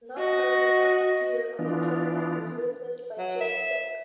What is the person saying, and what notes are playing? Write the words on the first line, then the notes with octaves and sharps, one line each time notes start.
Knopfler did not appear on the track and was replaced by Jeff Beck.
F#4 D#5
E3 B3 D4 F4
F#3
E5